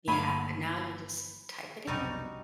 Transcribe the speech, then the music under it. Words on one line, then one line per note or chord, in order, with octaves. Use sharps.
Yeah, and now you just type it in.
G1 F#3 A3 A#3 F5 B5 D#7
F1 B1 G3 D#4 F#4